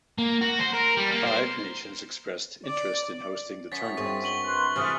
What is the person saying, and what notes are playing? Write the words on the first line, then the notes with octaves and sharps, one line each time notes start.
Five nations expressed interest in hosting the tournament.
A#3
F#4
C5
A#4
G3
A#3
C5
D5
F#2 C#5 A6 B6
G2 C4 G#4 C#6
C#6 F#7 G7
B4 C6 F#6
C3 E3 G#3 A3 D#6 F6